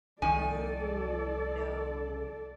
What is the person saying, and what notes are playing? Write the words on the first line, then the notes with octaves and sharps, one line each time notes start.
Oh, no.
C2 D#3 F3 D#4 A4 D5 G#5